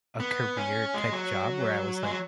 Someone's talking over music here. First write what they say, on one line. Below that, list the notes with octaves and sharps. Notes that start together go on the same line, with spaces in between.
a career-type job where I was like,
B3
C#4
G#3
F#3
G#3
F#3